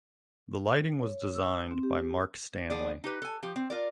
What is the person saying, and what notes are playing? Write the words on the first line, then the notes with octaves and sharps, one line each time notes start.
The lighting was designed by Mark Stanley.
C#5
E6
C4
G4
F3 B3 G#4 D5
D#4 G4 B4
A4 G#5
F3 G4
C4
F4 A#4 D5